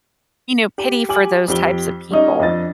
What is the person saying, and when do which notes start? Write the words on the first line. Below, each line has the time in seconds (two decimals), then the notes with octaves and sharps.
you know, pity for those types of people
0.78 G4
1.09 G4 G#5 D6 F#7
1.48 F2 G4 G7
2.11 G3 C#4 D#4 D#5
2.40 F2 D4 D#5 A6